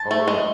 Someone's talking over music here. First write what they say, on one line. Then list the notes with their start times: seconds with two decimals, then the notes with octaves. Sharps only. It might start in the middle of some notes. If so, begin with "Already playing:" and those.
Oh, yeah.
Already playing: A5
0.11 A3
0.28 G#3